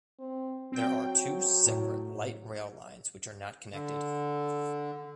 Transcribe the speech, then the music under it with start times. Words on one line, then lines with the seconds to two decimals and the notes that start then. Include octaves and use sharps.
There are two separate light rail lines which are not connected.
0.19 C4
0.72 F#3 C4 G5
1.66 A2
3.73 D3